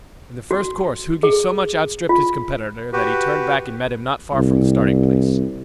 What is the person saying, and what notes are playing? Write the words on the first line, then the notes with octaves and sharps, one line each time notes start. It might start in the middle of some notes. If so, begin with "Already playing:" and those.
In the first course Hugi so much out-stripped his competitor that he turned back and met him not far from the starting place.
F#4
G#4
F4
F#4 G4 B4
C2